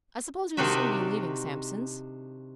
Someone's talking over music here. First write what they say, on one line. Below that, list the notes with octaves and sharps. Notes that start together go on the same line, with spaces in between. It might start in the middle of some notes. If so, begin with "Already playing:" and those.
I suppose you'll soon be leaving Sampson's.
C3 D#3 D4 D#4 F#4 E5